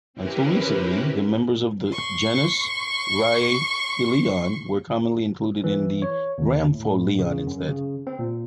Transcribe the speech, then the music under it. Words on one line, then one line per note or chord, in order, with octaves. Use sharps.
Until recently, the members of the genus "Rieppeleon" were commonly included in "Rhampholeon", instead.
C4 C#4 E4 G4 A#4 B4
C6 C#6
E3
C#5
D#2
A2
C#3
F#2
C#3
C4
A#2